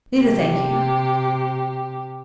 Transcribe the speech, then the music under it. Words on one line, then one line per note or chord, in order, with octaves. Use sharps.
"Neither, thank you."
C3 G4